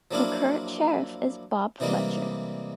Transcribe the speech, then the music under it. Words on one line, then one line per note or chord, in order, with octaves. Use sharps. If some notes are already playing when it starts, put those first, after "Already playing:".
The current sheriff is Bob Fletcher.
F3 F#3 A#3 D4 E4 F4
C3 E3 G3 G#3 A#3